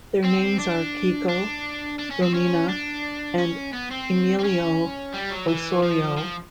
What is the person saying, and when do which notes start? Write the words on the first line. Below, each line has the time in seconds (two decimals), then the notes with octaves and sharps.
Their names are Kiko, Romina, and Emilio Osorio.
0.25 C4
0.59 D4
1.29 D4
1.99 D4
2.11 C#4
2.22 C4
2.34 C#4
2.69 D4
3.38 C#4
3.74 B3
3.91 C4
4.39 C4
4.44 C#4
5.13 G3
5.30 F#3
5.48 E3
5.83 F3
6.18 F3